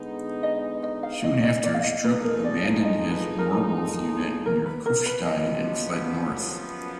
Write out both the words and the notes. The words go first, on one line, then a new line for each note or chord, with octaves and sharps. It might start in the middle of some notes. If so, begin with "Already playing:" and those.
Soon after, Stroop abandoned his Werwolf unit near Kufstein and fled north.
Already playing: D3 G#3 B3 D#4
D#5
D#5
F5
D#5
D#5
D5
F5
D#5
F2 F3 G#3 D#4 B4
A#4
D5
F5
D#5
B4
A#4
A#4
B4
A#4
B4
F#2 F3 B3 D#5